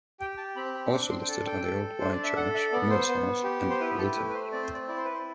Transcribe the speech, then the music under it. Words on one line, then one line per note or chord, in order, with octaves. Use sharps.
Also listed are the Old Wye Church, Miller's House, and Wilton.
G4 G5
A5
C4 B5
B5
D4 D6
C6
G5
A4 A5
G5
A4
D4 C5
D5
E5
A4 F#5
E5
B3 D5
C5
B3
G4
C5
E4 B4
A4
A3 B4
B4
C5
C4 D5
C5
D5
E4 D5
C5
B4
C5